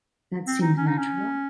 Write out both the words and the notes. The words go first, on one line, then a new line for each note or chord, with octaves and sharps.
That seems natural.
C4
D#4
C#4
D#4
C#4